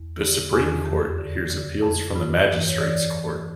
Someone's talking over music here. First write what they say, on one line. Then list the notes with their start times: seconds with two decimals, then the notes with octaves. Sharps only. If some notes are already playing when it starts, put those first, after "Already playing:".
The Supreme Court hears appeals from the Magistrates' Court.
Already playing: E2
0.22 D3 G4
0.53 E2 F4
0.86 F2 G4
1.18 D3
1.51 D3
1.82 F2
2.15 G2 F4
2.47 E3
2.68 C#5
2.80 E3 D5